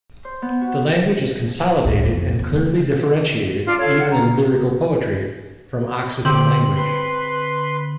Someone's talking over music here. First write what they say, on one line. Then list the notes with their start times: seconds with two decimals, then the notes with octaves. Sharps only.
The language is consolidated and clearly differenciated, even in lyrical poetry, from Occitan language.
0.25 C5
0.42 B3
0.61 F#4
1.84 C#2 A2
2.05 B1 F2
2.39 E2
2.53 C#3 A3
3.65 D4 F4
3.79 F4 A4 C#5 F5
4.00 F#5
4.11 A#5
6.25 D3 C4 G4 F#7
6.76 B4 C6